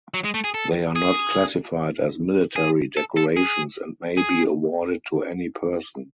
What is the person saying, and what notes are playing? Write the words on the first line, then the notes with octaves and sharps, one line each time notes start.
They are not classified as military decorations, and may be awarded to any person.
F#3
G#3
A3
G#4
A4
G#4
G#4
A4
A4
G#4
G#4